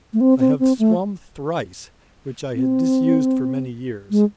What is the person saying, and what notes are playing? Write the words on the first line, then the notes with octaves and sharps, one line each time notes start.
I have swum thrice, which I had disused for many years.
A3
C4
C4
C4
A3
C4
G#3